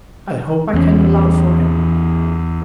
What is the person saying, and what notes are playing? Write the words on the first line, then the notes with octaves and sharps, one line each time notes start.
I hope I can allow for him.
E2 E3 A#3 C#4